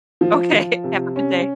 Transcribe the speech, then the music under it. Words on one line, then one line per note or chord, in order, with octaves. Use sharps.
Okay. Have a good day.
F3
F3
C3
C#4